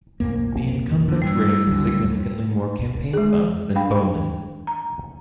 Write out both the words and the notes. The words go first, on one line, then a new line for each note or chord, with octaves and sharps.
The incumbent raised significantly more campaign funds than Bowman.
B1 F2 A#3
D3 A#3
G2 G3 E4 E6
C#2 D3 F#3
F2
G#3 G#4
D4 F5 G5 B5
A#5